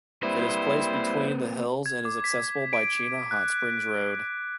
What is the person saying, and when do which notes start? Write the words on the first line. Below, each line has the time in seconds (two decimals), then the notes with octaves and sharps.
It is placed between the hills and is accessible by Chena Hot Springs Road.
0.23 G3 A#3 C4 E4 B4 C5
1.86 G#6
2.05 D6
2.24 B6
2.73 D7
3.31 F#6